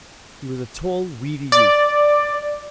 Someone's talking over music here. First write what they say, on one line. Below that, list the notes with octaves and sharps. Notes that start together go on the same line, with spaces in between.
He was a tall, weedy youth.
D5